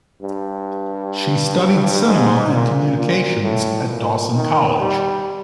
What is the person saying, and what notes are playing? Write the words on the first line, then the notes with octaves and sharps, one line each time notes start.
She studied Cinema and Communications at Dawson College.
G2
G#2
A#2
A#2
A2
A#2
D#3
G3